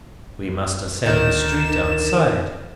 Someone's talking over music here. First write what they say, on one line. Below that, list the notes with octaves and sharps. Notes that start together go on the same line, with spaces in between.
We must ascend the street outside.
D2 D#3 E7